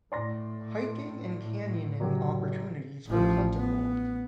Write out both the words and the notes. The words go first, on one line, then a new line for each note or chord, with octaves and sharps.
Hiking and canyoning opportunities are plentiful.
A2 D5 C6 A#6
F#1 F#3 G4
A1 F3
B3